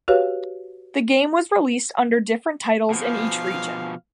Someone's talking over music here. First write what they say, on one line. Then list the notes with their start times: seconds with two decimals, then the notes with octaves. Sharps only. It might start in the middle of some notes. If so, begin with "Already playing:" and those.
The game was released under different titles in each region.
0.08 F#4 G4 B4 C#5 F5
2.90 B2 F3 F5